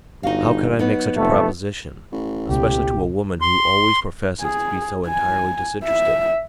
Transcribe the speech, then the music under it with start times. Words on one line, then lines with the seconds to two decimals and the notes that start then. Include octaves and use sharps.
"How could I make such a proposition, especially to a woman who always professes to be so entirely disinterested?"
0.23 G1 D#4 F#4 F5
0.79 F#3 B3 D#4
1.17 F1 A3
2.12 A1
2.50 C#2 B2 G4
3.42 C6
4.41 G#4
5.07 G#5
5.84 E5